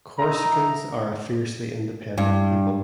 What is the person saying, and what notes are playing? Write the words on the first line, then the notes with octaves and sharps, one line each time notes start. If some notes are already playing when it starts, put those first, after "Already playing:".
Corsicans are a fiercely independent people.
D#4 E4 A#5
G2